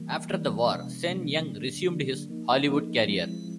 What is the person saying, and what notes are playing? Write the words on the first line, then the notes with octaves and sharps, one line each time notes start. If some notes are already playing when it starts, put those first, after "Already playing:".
After the war, Sen Yung resumed his Hollywood career.
Already playing: E3 G3 A#3
E3 G3 A#3
C3 F3 G#3 B3 D4
C3 F3 G#3 B3 D4
D3 F#3 A#3 D4
D3 F#3 A#3 D4
F3 A#3 D#4
F3 A#3 D#4
F3 G#3 C4 E4